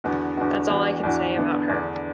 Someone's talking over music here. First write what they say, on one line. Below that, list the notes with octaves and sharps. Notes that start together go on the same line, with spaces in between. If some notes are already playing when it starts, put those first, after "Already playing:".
That's all I can say about her.
E2 D3 B3 F#4
E2 D3 B3 F#4
E2 E3 D4 F#4
E2 E3 D4 F#4
E2 D3 B3 D4
E2 D3 B3 D4